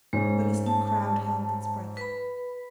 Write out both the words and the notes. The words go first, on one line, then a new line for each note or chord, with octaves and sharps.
The listening crowd held its breath.
G#2 G#3 C#4
A5
B4 B5